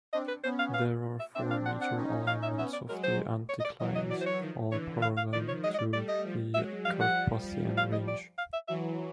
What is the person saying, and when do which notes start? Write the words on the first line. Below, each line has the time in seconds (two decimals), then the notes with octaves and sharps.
There are four major alignments of the anticlines, all parallel to the Carpathian Range.
0.13 C4 D4 D#5
0.28 B4
0.44 B3 C#4 C5
0.59 F5
0.74 F5
1.20 E5
1.35 C4 D4 E5
1.51 F5
1.66 F#5
1.81 F#5
1.96 C#4 D#4
2.27 F5
2.43 E5
2.58 B3 C#4 E5
2.73 D5
2.88 F#3 G#3 A#4
3.03 C5
3.49 C#5
3.60 D#5
3.65 D5
3.80 E3 F#3 D#5
3.95 D#5
4.10 D5
4.21 C5
4.26 C#5
4.40 D#3 F3
4.71 D3 E3 C#5
5.02 F5
5.17 F5
5.32 D#3 F3 D5
5.48 C#5
5.63 F#3 G#3 D#5
5.74 D#5
5.78 D5
5.93 G3 A3 D5
6.08 D#5
6.24 F3 G3
6.54 F#3 G#3 E5
6.85 F3 G3 F5
7.01 F#5
7.46 F3 G3
7.77 F5
7.92 D#5
8.08 D5
8.38 F5
8.53 E5
8.68 E3 F#3 E5